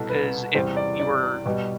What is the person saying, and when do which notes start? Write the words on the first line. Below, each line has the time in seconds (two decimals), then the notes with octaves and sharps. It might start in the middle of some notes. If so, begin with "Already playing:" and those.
'Cause if you were
Already playing: C2 B2 B3 A4
0.10 B4
0.54 E2 C3 G3 C5
0.77 D5
1.00 D5
1.46 B2 G3 B3